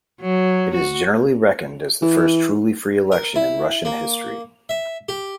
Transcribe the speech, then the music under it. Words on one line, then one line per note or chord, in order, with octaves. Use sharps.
It is generally reckoned as the first truly free election in Russian history.
F#3
F#4
E3
A#4
E4
A#3
E5
G4